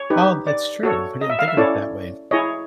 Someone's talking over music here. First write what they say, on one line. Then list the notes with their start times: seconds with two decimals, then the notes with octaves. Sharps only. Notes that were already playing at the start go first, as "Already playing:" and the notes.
Oh, that's true. I didn't think of it that way.
Already playing: C#5
0.10 D#4 G4 B4
0.47 D5
0.83 F#4 A4 C#5
1.21 D#5
1.30 E5
1.39 F5
1.48 E5
1.57 C#4 E4 A4 C#5 D5
2.31 E4 G#4 C#5 D#5